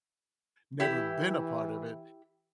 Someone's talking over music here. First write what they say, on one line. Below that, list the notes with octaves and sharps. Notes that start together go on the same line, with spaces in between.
never been a part of it,
E3 E4 G4